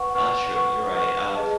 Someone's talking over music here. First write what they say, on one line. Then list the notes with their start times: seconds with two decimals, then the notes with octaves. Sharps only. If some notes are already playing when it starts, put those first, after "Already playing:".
That's true, you're right. Uh,
Already playing: B4 F#5 C#6
0.15 B4 F#5 C#6
0.55 B4 F#5 C#6
0.95 B4 F#5 C#6
1.35 G#4 B4 D#5 A5